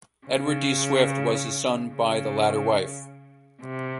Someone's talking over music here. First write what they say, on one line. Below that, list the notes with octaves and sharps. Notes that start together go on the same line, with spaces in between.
Edward D. Swift was his son by the latter wife.
C#3
C#3
C3